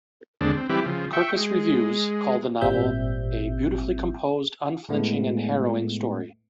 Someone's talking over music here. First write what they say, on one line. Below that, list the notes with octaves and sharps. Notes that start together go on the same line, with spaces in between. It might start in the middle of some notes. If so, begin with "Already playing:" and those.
"Kirkus reviews" called the novel a "beautifully composed, unflinching and harrowing story".
D#2 D3 G#3 C4 D4
C4
E3 G3 C4 E4 G4 B4
C#3 F3
E5 G5 C#6
G#3
G#1 A#2 G3 C4 E5 G6
A2 G#3 A3 B3